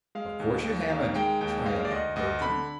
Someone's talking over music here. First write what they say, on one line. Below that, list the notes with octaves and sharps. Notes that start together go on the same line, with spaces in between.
"Of course you haven't," triumphed Bertram.
G#3 F5
D#2
D#2
D#3 F5
G#3 G5
D#2 G5
G#3 F5
D5
D2 D#5
D2 D#5
D3 B5